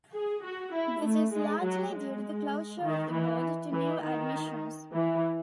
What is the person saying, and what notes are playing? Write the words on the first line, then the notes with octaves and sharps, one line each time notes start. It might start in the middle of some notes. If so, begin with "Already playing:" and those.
This is largely due to the closure of the board to new admissions.
G#4
F#4
E4
A3
G#3
F#3
G#3
D#3
E3
E3
D#3
E3